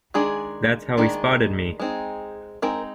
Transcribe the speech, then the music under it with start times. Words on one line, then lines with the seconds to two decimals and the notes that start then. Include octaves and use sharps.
That's how he spotted me.
0.14 D#3 G#3 D4 G#4
0.97 D#3 G#3 D4
1.80 G#3 C4 D#4
2.62 G#3 C4 D#4 A#4